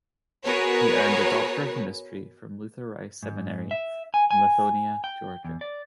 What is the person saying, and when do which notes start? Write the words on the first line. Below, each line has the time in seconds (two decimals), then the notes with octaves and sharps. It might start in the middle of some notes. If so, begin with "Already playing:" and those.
He earned a Doctor of Ministry from Luther Rice Seminary in Lithonia, Georgia.
0.44 B3 F#4 G#4 A#4 B4 C#5
3.23 G#2
3.71 E5
4.14 G#5
4.31 G#5
5.04 G5
5.45 E2
5.61 D5